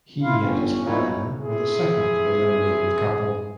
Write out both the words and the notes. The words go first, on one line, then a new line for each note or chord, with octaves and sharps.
He and his partner were the second eliminated couple.
E4 F4 F5
G1 C#4
F2 G#2 C#4
A#2 D#4 E4 C#5
B1
C3 E4 G#4